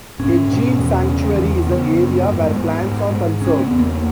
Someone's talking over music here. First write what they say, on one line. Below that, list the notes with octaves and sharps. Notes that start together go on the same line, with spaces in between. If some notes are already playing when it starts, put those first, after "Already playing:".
A gene sanctuary is an area where plants are conserved.
G#2 C#4
B2
E2
C#3
E2
C#3 B3
F#2
G#2
G#2
G#2
G#2
C#3 C#4
B3
E2
A#3